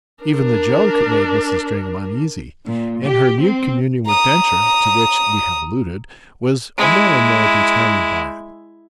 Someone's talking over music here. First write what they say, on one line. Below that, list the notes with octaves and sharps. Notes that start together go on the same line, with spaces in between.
Even the joke made Mrs. Stringham uneasy, and her mute communion with Densher, to which we have alluded, was more and more determined by it.
D4 A#4
A#2
G4
C4
A#5 D#6
G#3 E4